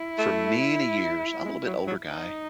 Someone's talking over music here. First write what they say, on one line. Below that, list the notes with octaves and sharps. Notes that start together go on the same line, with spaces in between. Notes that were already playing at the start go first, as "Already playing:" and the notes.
For many years I'm a little bit older guy.
Already playing: E4
A3
G#3
F#3
F#3
D#4